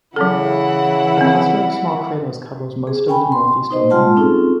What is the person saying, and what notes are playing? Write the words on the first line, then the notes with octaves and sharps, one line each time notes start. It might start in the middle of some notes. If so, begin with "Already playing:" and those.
A cluster of small craters covers most of the northeastern rim.
C#3 E3 F#3 C#4 E4 A4 F#5
C4
G#4
C#4 G5 G#5 B5
C6
D#4 C5 D#5
G3 G#3 F4 F#5 A5 C6
C4 C#4 D#4 F4 G#4 A4